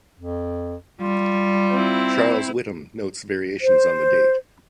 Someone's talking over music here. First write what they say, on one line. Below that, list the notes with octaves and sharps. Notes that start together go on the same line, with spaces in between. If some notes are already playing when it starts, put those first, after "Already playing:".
Charles Whitham notes variations on the date.
F2
G3 F4
C4 E4
C5